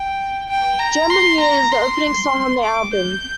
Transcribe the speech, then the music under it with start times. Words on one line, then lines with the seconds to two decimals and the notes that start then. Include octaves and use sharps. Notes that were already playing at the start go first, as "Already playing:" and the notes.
"Jam of the Year" is the opening song on the album.
Already playing: G5
0.49 G5
0.79 A#5
1.10 C6
1.41 A#5
1.72 C6
2.64 D6
2.93 G6